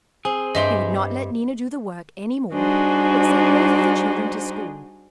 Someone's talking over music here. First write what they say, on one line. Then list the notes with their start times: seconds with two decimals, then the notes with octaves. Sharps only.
He would not let Nina do the work any more, but sent both of the children to school.
0.25 C4 G#4
0.55 G2 G3 D#5 E5 G5 C6
2.53 G3 D4 D#4 F#4 G#4 C5